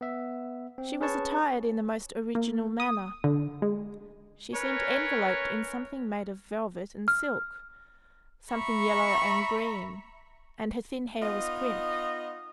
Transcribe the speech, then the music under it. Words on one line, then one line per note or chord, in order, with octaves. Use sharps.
She was attired in the most original manner; she seemed enveloped in something made of velvet and silk, something yellow and green, and her thin hair was crimped.
B3 E5
C4
C#4 G#4 B4 C#5 A5 C#6
A#3
D#6
D3
G#3
C#4 A#4 B4 C#5
F6
E5 A#5 B5 C#6
B3 D#4 F4 D#5